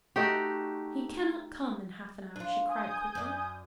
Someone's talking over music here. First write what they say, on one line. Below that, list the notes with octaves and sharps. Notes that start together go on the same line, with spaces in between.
"He cannot come in half an hour," she cried quickly.
A3 D#4 F#4 G4
D4 F4
G#5 D#6 G6
F#2 D5